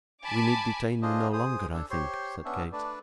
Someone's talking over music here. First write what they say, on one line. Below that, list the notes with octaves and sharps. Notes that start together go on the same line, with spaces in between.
'We need detain you no longer, I think,' said Kate.
G#5 A5 B5 D6
D4 F4 G#4 C5 D#5
G#4 C5 D#6
D4 A4
G4 C5 C#5 C6
B3 C#4 D4 E5
A3 D4 B4 D5